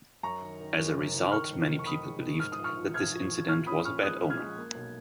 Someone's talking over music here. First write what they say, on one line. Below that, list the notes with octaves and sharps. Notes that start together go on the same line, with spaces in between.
As a result, many people believed that this incident was a bad omen.
F#2 A#5 C#6
D#3
D#3
F#2
F#1
F#1
D#3 C#6 F6
F1
D#3
C#6
D#3 B5 D#6
G#3
D#3
G#2 F6
D#6
A#1
C#6 F6
F3
A#1 F6 G#6
F3
F3
A#2 C#6 F6
C#4 B5 D#6
C#4 C#6 F6
G#3 D#6 F#6
A#1
F6 G#6
G#3
A#3
B1